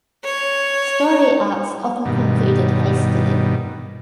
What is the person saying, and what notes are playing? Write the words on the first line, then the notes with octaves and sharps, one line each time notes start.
Story arcs often concluded hastily.
C#5
G2 B2 D#3